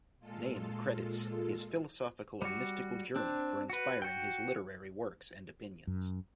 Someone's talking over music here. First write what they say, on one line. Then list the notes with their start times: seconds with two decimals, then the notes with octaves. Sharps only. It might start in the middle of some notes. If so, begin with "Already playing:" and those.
Naim credits his philosophical and mystical journey for inspiring his literary works and opinions.
0.19 A#2 G#3 F4 A4
2.42 G3 F#4
3.16 C4 D4
3.70 F#4 B4
4.02 F#4 G5
5.87 F#2